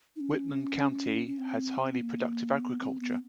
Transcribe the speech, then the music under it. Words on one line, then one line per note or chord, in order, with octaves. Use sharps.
Whitman County has highly productive agriculture.
D#4
C#4
C#4
C4
A#3
B3
C4
B3